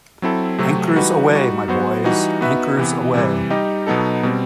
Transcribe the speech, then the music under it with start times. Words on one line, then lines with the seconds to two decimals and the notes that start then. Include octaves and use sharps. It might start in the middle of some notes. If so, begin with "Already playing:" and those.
Anchors Aweigh, my boys, Anchors Aweigh.
0.22 F#3 C4 E4 A4
0.58 C3 F#3 A3 C4 F#4
0.96 E3 G3 D#4 F#4 B4
1.32 G3 D#4 F#4
1.68 F#3 B3 F#4 C5
2.04 E3 G3 D#4 F#4
2.41 B3 D#4 F#4 B4 E5
2.77 C3 E3 B3
3.14 C3 E3 G3
3.50 G3 D#4 G4 D#5
3.87 B2 F#3 B3 D#4 A4
4.23 B2 G3 C4